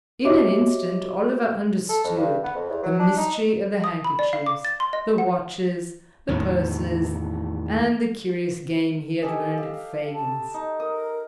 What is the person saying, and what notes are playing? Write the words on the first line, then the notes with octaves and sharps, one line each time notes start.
In an instant Oliver understood the mystery of the handkerchiefs, the watches, the purses and the curious game he had learned at Fagin's.
F#4 G4 C#5 D#5 E5 D6
A4
F2
G2
B3
F2
E2
F#3
D4
D#4
D#6
B5
D5
F5
D6
A6
C6
D#5
F#5
E2 A2 D#3
G4 A4 D#5 G#5
G4 F5
A5
D#4
A#4 D#6